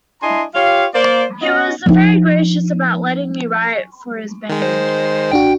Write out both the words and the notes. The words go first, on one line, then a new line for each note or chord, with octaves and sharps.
He was very gracious about letting me write for his band.
D4 E4 D#5 G#5 A#5 C6
F4 G4 C#5 F5
A#3 C5 D5
B3 C#4 F#4 D#5
F3 D#4
D#3 G#3
C5
A1 D4 F#4 G5